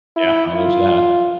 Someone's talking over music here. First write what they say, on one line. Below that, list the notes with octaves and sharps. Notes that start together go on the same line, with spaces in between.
Yeah, well, there's that.
E4
F4